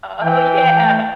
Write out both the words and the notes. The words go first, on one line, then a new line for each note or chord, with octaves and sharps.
Oh yeah,
E3 G5
A3